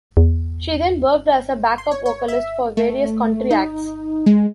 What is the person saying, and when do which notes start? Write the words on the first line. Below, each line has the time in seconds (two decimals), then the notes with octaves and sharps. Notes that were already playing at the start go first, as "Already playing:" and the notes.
She then worked as a backup vocalist for various country acts.
0.17 E2
1.78 C6
1.91 C#5
2.06 C#5
2.28 E5
2.77 A3
3.51 D#4
4.26 G#3